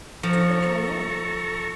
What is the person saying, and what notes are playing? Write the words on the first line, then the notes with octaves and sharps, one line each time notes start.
"To the Palais."
F3 A4 A#5 C#6